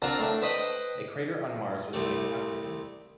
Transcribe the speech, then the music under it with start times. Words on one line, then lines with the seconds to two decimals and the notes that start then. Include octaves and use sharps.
A crater on Mars was named after him.
0.02 C4 D4 F4 A#4 F#5 A#5
0.19 A2 D4
0.42 B4 C5 D#5 G5 B5
1.93 C2 C3 A3